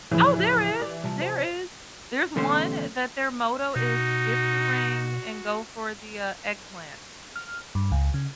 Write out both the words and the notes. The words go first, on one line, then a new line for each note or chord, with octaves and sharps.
Oh, there is, there is. There's one that their motto is "Skip the ring and go for the, uh, eggplant."
D2 A2 C#3 E3 F3 E4
G4 D5
C3 F3 G3
C5
B1 E2 D3 A3 C#4 C5
B2 D#4 F#4
F6
G2
C#2
C#3